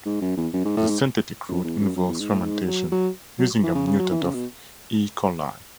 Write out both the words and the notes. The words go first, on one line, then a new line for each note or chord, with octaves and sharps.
The synthetic route involves fermentation using a mutant of "E. coli".
G#2
F#2
E2
F#2
G#2
A2
G#2
F#2
E2
F#2
F#2
E2
G#2
A2
G#2
F#3
F#3
F#3
E3
C#3
C#3
F#3
E3
C#3
B2